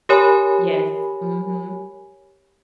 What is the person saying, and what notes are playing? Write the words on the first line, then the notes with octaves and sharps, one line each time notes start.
Yes, mhm.
G4 A#4 C#5 G#5 B5